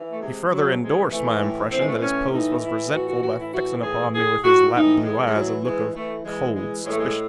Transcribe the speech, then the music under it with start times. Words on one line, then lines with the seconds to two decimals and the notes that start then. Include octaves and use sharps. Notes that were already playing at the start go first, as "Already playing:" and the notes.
He further endorsed my impression that his pose was resentful by fixing upon me with his light blue eyes a look of cold suspicion.
Already playing: E3
0.10 A3
0.21 C3 G#3
0.51 C3 F#3
0.82 E3 G#3
1.12 E3 A3
1.42 A2
1.72 E3 C4
1.81 G#3
1.88 A3
1.95 C4
2.03 A2 C#4
2.33 E3 D#4
2.63 A2 E4
2.93 E3 F#4
3.08 F#4
3.23 A2 F#4
3.39 E4
3.53 E3 F#4
3.83 A2 G#4
4.13 A2 G#4
4.44 A2 F#4
4.74 E3 D#4
5.04 E3 G#3
5.27 G#3
5.34 E3 F#3
5.64 E3 G#3
5.95 E3 A3
6.25 E3 G#3
6.55 E3 G#3
6.85 A2 G#3
6.92 A3
6.99 G#3